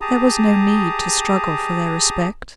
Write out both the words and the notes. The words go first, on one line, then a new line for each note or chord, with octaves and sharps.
There was no need to struggle for their respect.
G4 G#4 A5 A#5 D#6